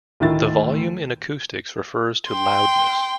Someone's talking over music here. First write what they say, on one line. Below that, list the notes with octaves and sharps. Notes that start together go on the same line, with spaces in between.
The volume in acoustics refers to loudness.
D2 A2 D#3 E4 A6
G5 C6